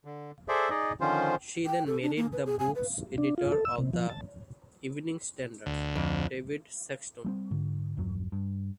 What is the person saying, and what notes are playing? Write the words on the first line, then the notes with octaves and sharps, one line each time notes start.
She then married the books editor of the "Evening Standard", David Sexton.
D3
G#4 A4 C5 D5 E5
D#4 G#4 D5 D#5
D3 D#3 F3 C#4 F4 C5
G5
A4
D4
A#3
B4
G#4
G#5
B4
D4
F4
A4
E6
C3
F3
A5
D2
F2
G3 A3 C4
G#2 D3
A#1 E2 G2 F#3
G2